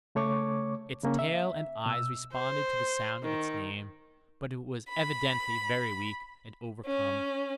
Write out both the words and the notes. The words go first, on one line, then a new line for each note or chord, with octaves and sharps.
Its tail and eyes responded to the sound of its name, but it was evidently very weak and overcome.
C#3 A3 C#5 C#6 D6
C#3 A#3 C#4
E5
B2 E6
C5
D#3
B5
C#4